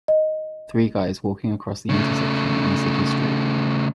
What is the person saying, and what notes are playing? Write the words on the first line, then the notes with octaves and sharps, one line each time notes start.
Three guys walking across the intersection on a city street.
D#5
C#3 A3